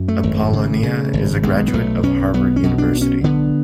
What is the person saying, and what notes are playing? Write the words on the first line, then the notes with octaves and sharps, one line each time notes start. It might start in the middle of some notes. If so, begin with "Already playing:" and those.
Apollonia is a graduate of Harvard University.
Already playing: F#2
A3
G#1
C#3
C#3
G#1
B1 G#3
B3
B1 A3
B1 C#4
B1 B3
C#4
B2
D4
B1
C#4
D3 B3